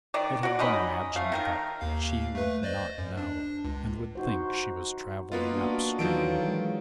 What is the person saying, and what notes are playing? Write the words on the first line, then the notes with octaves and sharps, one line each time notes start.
It had been imagined that she "would not know," and would think she was traveling upstream.
D#3 D5
F#4 D5
C#4 D#4 D#5 B5
A3 F5
D#3 D#4 A#4
D#2 F5
A3 B4
C5 D5 D#5
F#2
D4
C#2
D#4 F#4 C5
A#3 B3 F4 D#5
D4 F#4
D#3 E3 F#3 F4 A4 D7
G#3